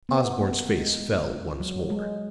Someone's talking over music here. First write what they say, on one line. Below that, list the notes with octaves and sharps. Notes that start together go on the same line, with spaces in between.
Osborne's face fell once more.
B3
A#3
G#3
F#3
G#3